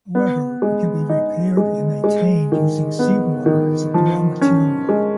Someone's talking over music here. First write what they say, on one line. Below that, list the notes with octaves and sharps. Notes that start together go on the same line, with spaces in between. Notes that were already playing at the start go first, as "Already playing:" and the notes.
However, it can be repaired and maintained using seawater as a raw material.
B3
G#3
D#4
G#3
G#3
D#3
B3
D#3
F3
C#4
G#3